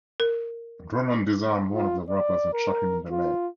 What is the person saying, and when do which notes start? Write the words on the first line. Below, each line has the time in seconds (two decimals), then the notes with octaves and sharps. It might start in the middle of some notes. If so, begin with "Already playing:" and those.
Roland disarmed one of the robbers and shot him in the leg.
0.20 A#4
1.74 F4
2.10 D5
2.53 A#4
3.12 F4